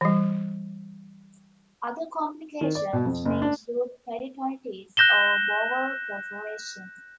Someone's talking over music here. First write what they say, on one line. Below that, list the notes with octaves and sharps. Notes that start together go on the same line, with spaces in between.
Other complications may include peritonitis or bowel perforation.
E3 G3
D#3
D5
B2
F2
F#1
D4
F#6 G6 A#6 E7 G7